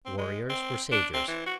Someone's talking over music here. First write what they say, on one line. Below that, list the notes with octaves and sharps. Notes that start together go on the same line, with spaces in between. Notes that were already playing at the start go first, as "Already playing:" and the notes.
Warriors were saviours.
C4
G#3
C4
D4
C4
E3
F#4